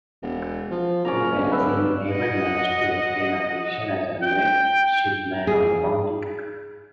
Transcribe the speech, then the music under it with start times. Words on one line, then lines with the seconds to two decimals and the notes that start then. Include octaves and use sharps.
Through Betsy, Hayward managed to obtain a position as a midshipman on the "Bounty".
0.22 E1
0.70 F3
1.05 F#1 C#4 D5 A#5
1.35 D1
1.52 B4 E5
2.08 D#5 F#5
4.22 G5
5.47 G#4